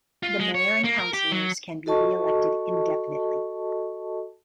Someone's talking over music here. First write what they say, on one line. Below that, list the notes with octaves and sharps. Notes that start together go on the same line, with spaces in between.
The mayor and councilors can be reelected indefinitely.
F4
G#3
C#5
A#3
A#4
G4
F#3
F#4 A4 D#5 A5 C#6